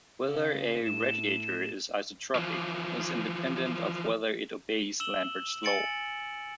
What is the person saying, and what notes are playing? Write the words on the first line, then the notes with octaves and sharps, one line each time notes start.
Whether a radiator is isotropic is independent of whether it obeys Lambert's law.
C#3
A2 E7
E3 F3
E6 E7 F#7 G7
G#5 A6 C#7 D7 F#7